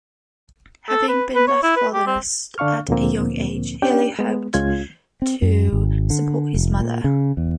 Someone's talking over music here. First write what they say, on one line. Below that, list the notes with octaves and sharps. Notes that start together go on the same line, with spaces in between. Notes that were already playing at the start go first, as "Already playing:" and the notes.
Having been left fatherless at a young age, Healy helped to support his mother.
A4
B4
B4
C#5
E4
B4
G4
C4
D3 D4 F5 C#6 F6
D2 A#2 D3 F3 A#3 C4
C#4 D4 G4 D5 G5
G#3 B3
C#2 G#3 C#4 F4 G#6
C4
F#2
G#1
D3
F1
A#2
C#3
E2